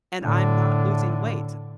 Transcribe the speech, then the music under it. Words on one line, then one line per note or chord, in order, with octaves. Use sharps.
and I'm not losing weight."
A2 D3